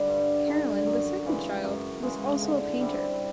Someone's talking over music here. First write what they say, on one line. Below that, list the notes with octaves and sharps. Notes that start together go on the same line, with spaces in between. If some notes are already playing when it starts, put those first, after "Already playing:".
Carolyn, the second child, was also a painter.
Already playing: D3 G3
G2
D3 G3
F#2
C#3 E3 G#3
F#2
C#3 E3 G#3
D3
G3 C4 E4